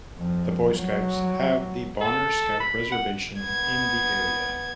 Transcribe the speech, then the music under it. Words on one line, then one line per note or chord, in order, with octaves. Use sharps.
The Boy Scouts have the Bonner Scout Reservation in the area.
F2
F#3
A4
B5
F#5
B3 G#6